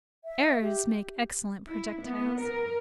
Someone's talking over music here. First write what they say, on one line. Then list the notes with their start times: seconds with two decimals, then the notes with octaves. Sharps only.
Errors make excellent projectiles.
0.25 E5
0.62 G4
1.70 E4
2.05 B3
2.41 A#4